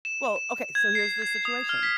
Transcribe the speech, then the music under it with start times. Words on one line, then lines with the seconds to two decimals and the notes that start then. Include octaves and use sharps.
Well, okay, so here's the situation,
0.05 E7
0.36 E7
0.75 G#6
0.95 C7
1.22 G#6
1.45 D#6
1.69 F6
1.83 B6